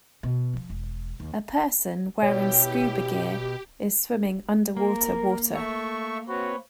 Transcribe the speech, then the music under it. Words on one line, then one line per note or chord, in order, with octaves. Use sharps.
A person wearing scuba gear is swimming underwater water.
B2
F3
E1
D#2
B2 E4 G4 C#5 G5
A#3 A#4
A3 E5 C#6
C4 F#4 B4 C#5